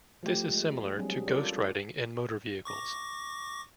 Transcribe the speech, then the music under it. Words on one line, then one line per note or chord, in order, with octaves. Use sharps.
This is similar to ghost-riding in motor vehicles.
F3 A3 G4
G#3
F#3 G3 C4 D4 G#4
C#4 F4 A4 A#4 D5
C#6 D6 A#6